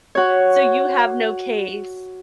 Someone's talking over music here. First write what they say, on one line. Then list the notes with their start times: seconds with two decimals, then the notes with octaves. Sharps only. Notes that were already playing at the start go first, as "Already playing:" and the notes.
So you have no case."
0.15 F#4 C#5